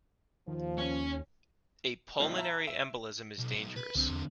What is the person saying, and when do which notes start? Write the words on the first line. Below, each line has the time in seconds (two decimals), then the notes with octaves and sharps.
A Pulmonary Embolism is dangerous.
0.48 D#2 F3
0.78 C#4
2.20 A#2 D3 G3 C4 D#4 E4
2.37 E5 A5 A#5
2.67 E5 D7 E7
3.38 B1
3.55 B2
3.76 B4
3.95 C2 D3 C4
4.10 E2